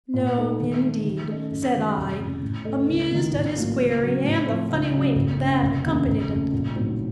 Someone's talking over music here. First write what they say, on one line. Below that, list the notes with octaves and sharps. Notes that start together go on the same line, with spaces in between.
"No, indeed," said I, amused at his query and the funny wink that accompanied it.
A#2
A3 D#4 A4
D#3
A3 D#4
D#3
A3 C#4 A4 D#5
F#2
D#3 F#3 A3
F1
F2 C#3
A2
A3 C#4 A4 D#5
C#2
C3 D#3 A3 D#4
A1
A2 F#3 A#3 F4
C#2
C#3 F#3
A2
F3 C4
C#2
C#3 F#3
F#1
F#2 C#3
F1
D#2 C#3
F#1
F2 C#3 A3
A#1
A2 F#3 C4 D#4